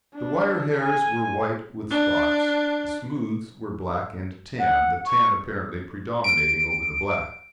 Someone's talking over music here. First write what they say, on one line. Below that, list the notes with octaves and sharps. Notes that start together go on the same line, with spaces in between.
The wire-hairs were white with spots, the smooths were black and tan, the tan apparently predominating over the black.
D4
G#5
D4
F#5
C#6
D7